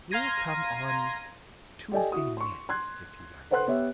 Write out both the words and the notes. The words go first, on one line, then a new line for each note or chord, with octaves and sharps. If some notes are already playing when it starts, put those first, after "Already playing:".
We'll come on--Tuesday next, if you like.
F5 A#5 C6 G#6 A#6 D#7
G4 A4 D5 D#5 G5 G#5
E4 F#4 D#6
C6 C#6
C6 F#6 G#6
A4 B4 C5 F#5 C6 F#6
B3 G4 C#5 E5